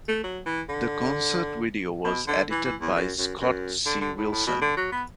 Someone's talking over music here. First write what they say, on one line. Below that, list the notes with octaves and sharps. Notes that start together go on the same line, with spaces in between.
The concert video was edited by Scott C. Wilson.
A3
F#3
E3
D3
B2
D3
E3
E3
E2
F#2
F#2
F#2
D3
D3
A2
A2
B2
D3
F#3
B3